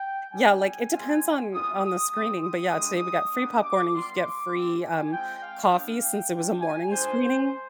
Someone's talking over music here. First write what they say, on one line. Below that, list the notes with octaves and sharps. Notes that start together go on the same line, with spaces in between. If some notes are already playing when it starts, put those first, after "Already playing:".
yeah, like, it depends on on the screening, but yeah, today we got free popcorn and you could get free, um, coffee since it was a morning screening.
Already playing: G5
G3 B3 D4 G4 G#5
G#3 C4 F4
G3 B3 F4 D#6
D#6
G3 C4 G4
D#6
G#3 D4 G4
B3 D4 G4
D6
G3 B3 F4 C6
D6
C4 F4
G#5
G#3 C4 F4 G5
F5
G3 B3 D4
G5
G#3 D4 F4
G#5
G#3 D4 F4 C5